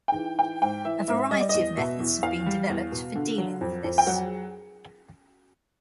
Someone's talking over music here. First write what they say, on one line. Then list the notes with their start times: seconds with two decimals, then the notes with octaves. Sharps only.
A variety of methods have been developed for dealing with this.
0.08 G5
0.16 E3
0.39 E3 G5
0.62 G#2 G5
0.85 E3 E5
1.08 G#2 E5
1.31 G3 D#5
1.40 D5
1.49 D#5
1.54 E2
1.77 B2 E5
2.00 E2
2.23 E2 F5
2.46 G3
2.70 E2
2.92 B2
3.15 D3
3.38 F#3
3.61 F2
3.84 F2
3.98 G5
4.07 F#3 F#5